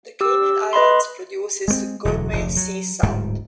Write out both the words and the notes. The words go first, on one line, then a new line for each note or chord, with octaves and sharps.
The Cayman Islands produces gourmet sea salt.
G4 E6
B4 D#5 B5 C6
G#3 A3 C4
E1 D2 D3 F#3
F1 D2 F3
F#3
D1 G#2 G3